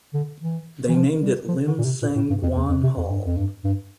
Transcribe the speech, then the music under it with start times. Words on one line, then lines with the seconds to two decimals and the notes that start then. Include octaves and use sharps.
They named it Lim Seng Guan Hall.
0.14 D3
0.42 E3
0.89 E3
0.95 F3
1.22 G3
1.48 F3
1.67 D3
1.78 A#2
1.85 C3
2.02 A#2
2.16 A2
2.30 G2
2.43 F2
2.57 E2
2.69 F2
2.83 C3
2.97 F2
3.10 G2
3.26 F2
3.37 G2
3.64 G2